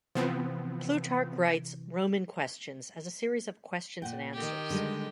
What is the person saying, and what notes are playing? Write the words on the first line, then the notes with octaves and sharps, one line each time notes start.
Plutarch writes "Roman Questions" as a series of questions and answers.
C3 E3 F3 B3 C4
A#2 F#5 G5
D#3 G4
D3 G3 G#3